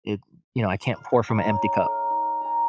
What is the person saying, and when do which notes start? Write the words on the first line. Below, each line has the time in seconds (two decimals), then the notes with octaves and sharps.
it, you know I can't pour from a empty cup.
0.94 F5
1.28 D#4 C#5 G#5
1.82 A3 A#4
2.10 D#4
2.41 G#5 A#5